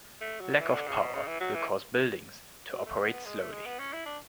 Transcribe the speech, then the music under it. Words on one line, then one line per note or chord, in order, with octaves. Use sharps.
Lack of power will cause buildings to operate slowly.
A3
F#3
D3
E3
D3
C#3
B2
C#3
E3
F#3
E3
F#3
A3
B3
B3
G#3
A3
G#3
B3
C#4
E4
D4